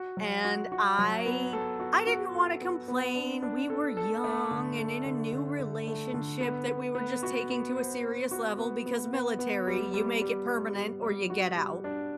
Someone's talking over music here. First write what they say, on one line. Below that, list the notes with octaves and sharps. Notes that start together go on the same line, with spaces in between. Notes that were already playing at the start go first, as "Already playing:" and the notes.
And I I didn't wanna complain, we were young and in a new relationship that we were just taking to a serious level because military, you make it permanent or you get out.
Already playing: F#4
F#3
F#4
F#4
F#3
B3
A4
F#4
F#4
A4
B3
B3
D4
D4
A4
A4
A3
D3
A4
D3
D3
D3
A3
D3
B3
B3
B3
F#4
B3
C5
C5
F#4
B3
B3
B3
B3
G3
G3
G3
G3
G3
G3
F#4
G3
D4